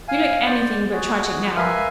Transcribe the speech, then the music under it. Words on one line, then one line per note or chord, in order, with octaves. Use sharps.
"You look anything but tragic now."
F5 G#5
C5 D5
F#4 G#4
A#4 B4 E5 F5 G#5